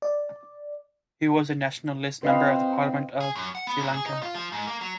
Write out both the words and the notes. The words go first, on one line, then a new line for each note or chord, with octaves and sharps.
He was a National List member of the Parliament of Sri Lanka.
D5
C4 B4 D#5 F5
G#4
F#2
F#5
B3
A#2
G#4
D#4
F4
F3
G#2
A#3
F#3